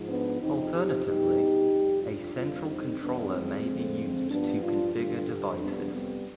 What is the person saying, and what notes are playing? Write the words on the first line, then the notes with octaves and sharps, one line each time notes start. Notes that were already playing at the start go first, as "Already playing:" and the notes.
Alternatively, a central controller may be used to configure devices.
Already playing: G#2 F3
B3 D4
F2 C3 F3 C4 D#4
D#4 G4
B2 G3 D#4 G4
F2 C3 G3
D4 F4
F2 D3 G3 D4 F4
C4 D#4
F2 D#3 G3 B3 D4
G#3 C4
F2 D3 F3
G2 F3 B3 D4
D4 F4
G2 D3 G3 D4 F4
F2 C3 G3 B3 D4
G3 B3